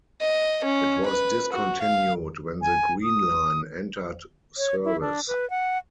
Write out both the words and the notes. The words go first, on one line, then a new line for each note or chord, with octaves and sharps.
It was discontinued when the Green Line entered service.
D#5
C#4
B4
F#4
F5
G#5
D#6
C#5
E4
D4
B4
F#5